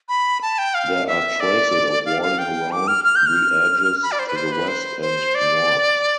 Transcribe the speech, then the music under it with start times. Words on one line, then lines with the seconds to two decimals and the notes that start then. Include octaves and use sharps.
There are traces of walling around the edges to the west and north.
0.09 B5
0.42 A5
0.58 G5
0.74 F5
1.08 E5
1.40 D5
2.06 F5
2.22 F5
2.39 G5
2.71 D6
2.88 F6
3.04 F6
3.16 G6
3.26 F6
4.03 B5
4.12 D5
4.19 C5
4.28 B4
4.36 C5
4.52 B4
4.68 C5
5.02 C5
5.35 D5